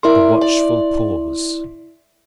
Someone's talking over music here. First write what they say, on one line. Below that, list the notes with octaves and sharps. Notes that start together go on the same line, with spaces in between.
A watchful pause.
E4 A#4 D5 E5 C6
D5